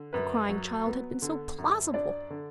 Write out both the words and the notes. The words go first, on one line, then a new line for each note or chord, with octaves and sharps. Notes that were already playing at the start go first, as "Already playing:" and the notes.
The crying child had been so plausible!
Already playing: D3
F#2 B4
F#3
B3
D3
F#2
D4 D5
D3